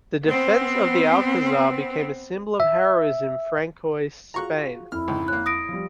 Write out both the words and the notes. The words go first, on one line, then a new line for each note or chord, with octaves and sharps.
The defence of the Alcazar became a symbol of heroism in Francoist Spain.
B3 C4
E5
F4 F#4 G#4 A#5 C#6 F#6
F2 E4 F6
C#2 G#2
A#3 C#4 F#6
D#6 A#6 D7
F3 G3